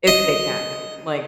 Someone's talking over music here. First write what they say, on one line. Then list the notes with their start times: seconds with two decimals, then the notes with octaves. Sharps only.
if they can, like,
0.07 D#5